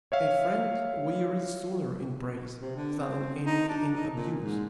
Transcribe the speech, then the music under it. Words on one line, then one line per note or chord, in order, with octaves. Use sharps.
A friend wearies sooner in praise than an enemy in abuse.
C#5 E5 F5
C3
D3
C4
D#4
D4
D#4
A#2
G#2